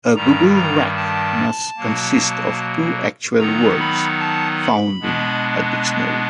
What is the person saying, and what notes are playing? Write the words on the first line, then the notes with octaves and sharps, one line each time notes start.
A Googlewhack must consist of two actual words found in a dictionary.
G2 D#3 G3 A#5
A#5
A5
B2 F#3 A#3
D#3 F#3 B3 D#4 A#5
B5
A5
B5
B2 G#3 B3 D4